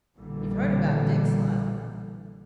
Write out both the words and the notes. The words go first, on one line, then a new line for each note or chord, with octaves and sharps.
You've heard about Dick's luck?'
A#1 B2 D3 E3 G3 A#3